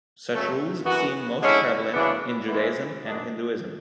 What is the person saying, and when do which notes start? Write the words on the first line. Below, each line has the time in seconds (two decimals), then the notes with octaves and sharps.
Such rules seem most prevalent in Judaism and Hinduism.
0.30 F#2 C#3 F#3 A3 C#4
0.84 F#2 E3 B3 F#4
1.39 D3 G#3 C#4 E4
1.93 F#2 C#3 E3 B3 D4
2.48 G#2 E3 G#3
3.03 F#2 D3 G#3 D4